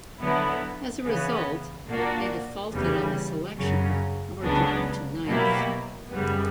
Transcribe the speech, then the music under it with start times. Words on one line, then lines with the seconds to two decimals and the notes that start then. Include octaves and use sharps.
As a result, they defaulted on the selection and were dropped to ninth.
0.20 D3 F#3 B3 E4
1.04 C#3 E3 B3
1.88 A#2 A#3 D4 F#4
2.72 E2 C#3 E3 G3
3.57 F#2 C#3 F#3
4.42 C#2 C#3 F#3 B3 D4
5.26 B2 F#3 A#3 E4 G4
6.10 F#2 C#3 G3 B3